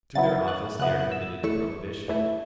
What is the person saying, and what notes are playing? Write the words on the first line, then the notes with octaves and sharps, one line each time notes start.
Through their office they are committed to prohibition.
C#3 F#3 B3 E4 A6
F#6
C#3 F#3 B3 E4 F#6
E6
E2 E3 A3 E4 C#6
E2 E3 A3 E4